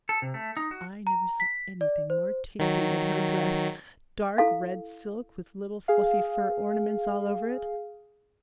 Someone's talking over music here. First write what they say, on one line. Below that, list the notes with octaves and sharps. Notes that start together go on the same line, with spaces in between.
I never saw anything more tasty than her dress,--dark red silk, with little fluffy fur ornaments all over it.
A4
C3
A3
D#4
F#4
A#5
B6
D5
C5
D#3 F#3
E4 A4 F5
G#4 F5